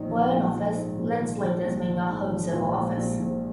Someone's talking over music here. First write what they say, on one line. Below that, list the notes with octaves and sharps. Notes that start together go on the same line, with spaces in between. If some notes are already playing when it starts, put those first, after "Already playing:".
While in office, legislators may not hold civil office.
Already playing: A#1 D#4
F3
A#1
F3
G#2
A#1
F3
F3
A#1
F3
G#2
F3
A#1 F4
A#1
A#1
A#1